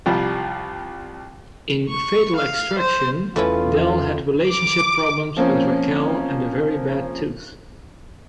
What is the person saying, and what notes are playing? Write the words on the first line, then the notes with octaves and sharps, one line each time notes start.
In "Fatal Extraction", Del had relationship problems with Raquel and a very bad tooth.
C2 F3 G3
C#6
F5
C5
E2 E3 A3 C#4 E4 F4 B4
D6
F3 A#3 C4 C#4